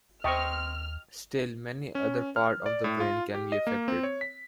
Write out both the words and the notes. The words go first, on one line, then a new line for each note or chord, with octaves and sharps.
Still, many other part of the brain can be affected.
D#2 A3 C4 D#5 G5 C#6 F6
C#4
F6
D5
A2
F4
G4
D#5
A#3
C4
C#5
B6